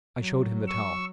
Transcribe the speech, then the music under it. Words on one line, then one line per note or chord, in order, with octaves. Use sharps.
I showed him the towel.
F#3
C#6 E6